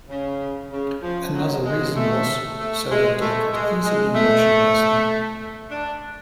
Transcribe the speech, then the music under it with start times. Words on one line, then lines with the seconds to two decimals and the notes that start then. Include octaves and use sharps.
Another reason was so that they could easily merchandise them.
0.09 C#3
0.72 C#3
1.03 F3
1.34 F#3
1.65 G#3
1.96 A3
2.59 A3
2.90 G#3
3.21 A3
3.53 G#3
3.84 G#3
4.15 A3
5.71 D4